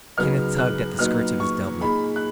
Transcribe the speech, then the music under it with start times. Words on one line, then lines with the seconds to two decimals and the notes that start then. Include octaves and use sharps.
Kenneth tugged at the skirts of his doublet.
0.17 C#2 C#3 F#3 B3 D#4 F6
0.58 F#6
0.99 A#2 F#3 B3 D#4 F6
1.40 C#6
1.81 A#2 G#3 D#4 B5
2.16 F#6